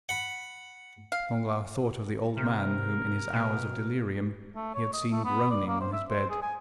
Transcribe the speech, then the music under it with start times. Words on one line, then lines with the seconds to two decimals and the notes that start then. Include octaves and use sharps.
Danglars thought of the old man whom, in his hours of delirium, he had seen groaning on his bed.
0.09 F#5 B5
1.12 F5
2.37 C3 A#4
3.33 B2
4.55 A3
4.75 C#5
4.94 D#5
5.11 A3
5.25 B3
5.51 D5
5.67 A#3
5.81 C5
5.93 E5
6.10 C5
6.30 G#4
6.42 G#5